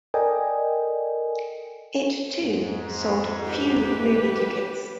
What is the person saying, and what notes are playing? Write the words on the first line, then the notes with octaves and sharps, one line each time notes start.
It too sold few movie tickets.
A4 A#4 D5 D#5 G5 G#5
F2 G#2
G4 B4